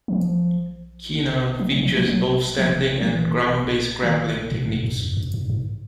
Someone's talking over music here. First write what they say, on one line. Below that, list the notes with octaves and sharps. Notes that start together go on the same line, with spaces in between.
Qinna features both standing and ground-based grappling techniques.
E3
F3
F3
F#3
F3
F3
F#3
F3
F3
E3
D#3
A2
G#2
G2
F2
F#2
G2
G#2